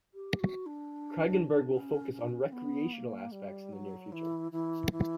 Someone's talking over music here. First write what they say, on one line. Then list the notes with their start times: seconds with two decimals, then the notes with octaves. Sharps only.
Kraggenburg will focus on recreational aspects in the near future.
0.14 G4
0.40 F#4
0.66 D4
1.72 C#4
2.13 C#4
2.21 D4
2.29 C#4
2.52 B3
2.93 A#3
3.32 G3
3.72 F#3
4.12 E3
4.52 E3
4.92 E3